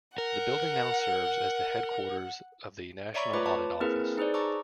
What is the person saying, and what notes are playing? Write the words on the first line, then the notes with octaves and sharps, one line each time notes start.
The building now serves as the headquarters of the National Audit Office.
A#4 F#5
C#5 D5 E5 A#5 B5 C#6
A3 F4 B4 C#5 B5 D6
B4 A5
A#3 C4 E4 G#4 A#4 B4
D#4 G#4 B4 C5 D5
A5 A#5 C#6 D6 E6